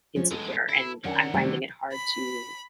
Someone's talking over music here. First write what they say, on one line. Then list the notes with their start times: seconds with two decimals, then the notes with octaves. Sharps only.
insecure, and I'm finding it hard to
0.16 F3 G#3 C#4
0.31 G#3 B3 A4
0.69 E4
1.04 D#3 C#4 D4 A#4 F#5
1.34 C3 G3 A3
1.92 B5